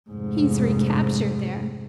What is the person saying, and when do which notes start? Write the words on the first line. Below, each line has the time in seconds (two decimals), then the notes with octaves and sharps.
He's recaptured, there!
0.10 F1 G#2